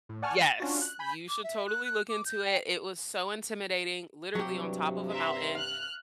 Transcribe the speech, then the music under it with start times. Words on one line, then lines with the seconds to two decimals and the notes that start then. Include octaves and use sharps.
Yes. You should totally look into it. It was so intimidating, literally on top of a mountain,
0.09 A2
0.22 D5 F#5 G#5 A5 C#6 F6
0.39 A6
0.60 C#4 D4 F4 F#4
0.82 F#6
0.99 G#5 B5 G6 B6
1.29 D6
1.44 E5
1.67 F#6
1.85 F#6
2.09 D6
2.26 G6
2.45 G5
4.35 G2 C3 F#3 G4
5.11 E5 A#5 C6
5.55 F5 F6 F#6